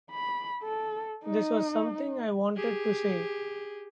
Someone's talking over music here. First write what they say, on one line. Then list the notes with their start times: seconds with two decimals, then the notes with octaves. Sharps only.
This was something I wanted to say.
0.11 B5
0.63 A4
1.25 D#4
2.55 G4 G#4